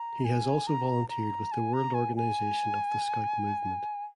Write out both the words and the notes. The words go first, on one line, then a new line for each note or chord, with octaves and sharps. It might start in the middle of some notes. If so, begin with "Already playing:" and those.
He has also volunteered with the World Organization of the Scout Movement.
Already playing: A#5
G#5
A#5
A#5
G#5
A#5
G#5
G#5